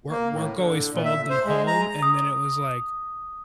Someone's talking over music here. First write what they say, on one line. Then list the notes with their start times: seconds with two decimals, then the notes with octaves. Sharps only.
Work work always followed them home, and then it was like,
0.10 A#3
0.32 A2
0.54 D3
0.93 A#2
1.05 E5
1.30 C5
1.45 G#3
1.67 A#5
2.03 D#6